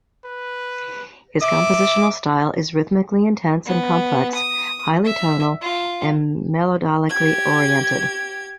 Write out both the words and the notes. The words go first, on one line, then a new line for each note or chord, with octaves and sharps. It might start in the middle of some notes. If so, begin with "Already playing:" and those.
His compositional style is rhythmically intense and complex, highly tonal and melodically-oriented.
B4
E5 D6
B3
D#6
E5
F4
G4 G#6